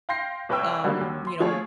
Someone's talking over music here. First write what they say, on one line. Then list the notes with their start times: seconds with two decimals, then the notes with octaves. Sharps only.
um, you know,
0.09 F5 G5 C6 G6 A#6 C7
0.49 C2 B4 C#5 G5 E6
0.84 D3 F#3 G3 A#3
1.01 D#2
1.27 C6
1.40 F3 A3 F4 G#4 C#5